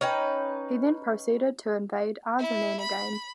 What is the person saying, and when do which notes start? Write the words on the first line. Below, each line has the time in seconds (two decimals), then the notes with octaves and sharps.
He then proceeded to invade Arzanene again.
0.01 C#4 D#4 B4 G5
2.39 E4
2.80 B5